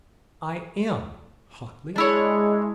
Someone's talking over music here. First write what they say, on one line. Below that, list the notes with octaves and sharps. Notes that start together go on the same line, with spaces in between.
"I am!" hotly.
G#3 D4 E4 C#5